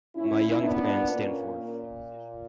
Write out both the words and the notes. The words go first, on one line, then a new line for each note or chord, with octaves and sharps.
My young friend, stand forth!
A#2 C#4 E4
B3 D4
A#3 C#4